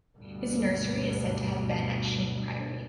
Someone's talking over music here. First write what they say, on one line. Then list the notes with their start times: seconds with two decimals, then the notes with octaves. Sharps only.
His nursery is said to have been at Sheen Priory.
0.17 D2 G2 B2